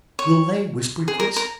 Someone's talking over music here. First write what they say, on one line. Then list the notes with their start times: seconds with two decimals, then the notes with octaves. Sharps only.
"Will they?" whispered Chris.
0.19 C#5
1.08 G#4
1.20 A#4
1.36 A#4